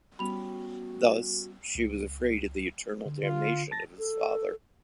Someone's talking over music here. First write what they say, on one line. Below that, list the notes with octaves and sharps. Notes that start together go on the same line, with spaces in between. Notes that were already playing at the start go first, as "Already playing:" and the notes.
Thus, she was afraid of the eternal damnation of his father.
G3 B3 C#4 F#4 B5 F7
C#2
D3
D3 F4
A5 A6 A#6
A4